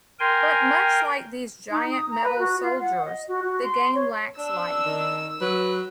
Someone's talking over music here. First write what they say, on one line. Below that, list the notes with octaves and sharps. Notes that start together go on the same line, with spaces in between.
But much like these giant metal 'soldiers,' the game lacks life.
A#4 G5 G#5 C6
D#4
D#6
A#5
B4
F#4
F4
F#5
D#5
F#4
F#4
C6
C#5
D4 E6
D#3
F#3 B4